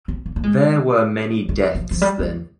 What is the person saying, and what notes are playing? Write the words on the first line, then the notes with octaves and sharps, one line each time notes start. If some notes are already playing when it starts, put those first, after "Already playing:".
There were many deaths then.
C4
A#3
A#3
G#3
G#3
F3
F3
G3
G#3